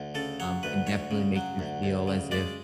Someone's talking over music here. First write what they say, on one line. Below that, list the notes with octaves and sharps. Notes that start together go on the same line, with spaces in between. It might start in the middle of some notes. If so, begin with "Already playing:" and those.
um, can definitely make you feel as if,
Already playing: D2
C#3 A4
F#3 C#5
D2 B4
D2 C#5
C#3
F#3
D2
D2
C#3
G#3 D5